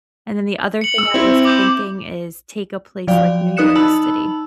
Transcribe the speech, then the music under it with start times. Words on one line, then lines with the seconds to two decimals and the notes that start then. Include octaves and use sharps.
And then the other thing I was thinking is, take a place like New York City-
0.81 C#7 F#7
0.98 E6
1.14 C4 E4
1.45 D6 G6 E7
3.07 F3 F#3 D5 F5 G5
3.57 D#4 B4 D#6 F#6 C#7 E7
3.75 D#4 A5 B5 E6 F#7